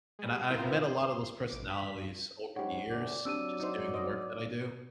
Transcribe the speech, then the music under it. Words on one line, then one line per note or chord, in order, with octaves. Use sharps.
and I I've met a lot of those personalities over the years just doing the work that I do.
G3 G#3
B3 C4 E4 F4 A#4 C5
C6
A1 D6
G2 B6
G#2 G4 C#5 F#5
D2 D5
F#3 C4 D4 G4 E6 D#7
D#4 C5
C5 D#5